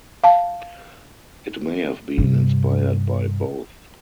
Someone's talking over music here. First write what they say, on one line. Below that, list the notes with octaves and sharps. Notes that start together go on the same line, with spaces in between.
It may have been inspired by both.
F5 A5
G2 C3